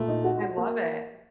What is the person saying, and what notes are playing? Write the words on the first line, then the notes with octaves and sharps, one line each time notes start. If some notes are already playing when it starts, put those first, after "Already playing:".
I love it.
Already playing: A#2 A3
D#4
F#4
F#4
A#3